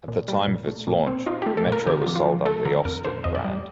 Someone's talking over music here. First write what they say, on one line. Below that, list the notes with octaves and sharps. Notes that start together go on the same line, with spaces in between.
At the time of its launch, the Metro was sold under the Austin brand.
A#2
G3
A#2
A3
A#2
C4
D#4 F4
G4
A3
A4
A#2
A#4
D3 G4
F4
F2
F4
F3
A3 A4
D3 A#4
F2 A#4
D3 C5
F2 D#5
D5
G3